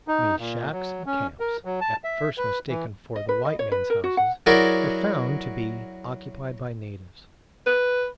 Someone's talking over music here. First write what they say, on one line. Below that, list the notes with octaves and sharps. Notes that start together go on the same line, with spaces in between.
Many shacks and camps, at first mistaken for the white men's houses, were found to be occupied by natives.
D#4
A#2
F#3
C#4
A#4
F#3
A5
E5
B4
E3
D#5
B4
D#5
C#5
B4
A#4
F#4
F#5
F#3 E4 F#4 G#4 A#4 D5
B4